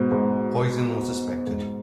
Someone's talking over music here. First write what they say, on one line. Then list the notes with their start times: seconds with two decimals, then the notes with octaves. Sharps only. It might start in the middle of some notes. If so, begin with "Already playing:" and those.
Poisoning was suspected.
Already playing: G#2 B2
0.11 G#2
1.47 G#2